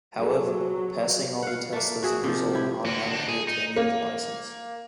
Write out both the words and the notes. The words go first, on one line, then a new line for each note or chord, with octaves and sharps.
However, passing all tests doesn't result in automatically obtaining the license.
F#3 F#4 G#4 A4
F5 F#5
A3 A#3
F#4 G#4 E5
C3 D#3 F3
E4 G4
D3 F#4
D4 D#4
G#4
D#4
A#3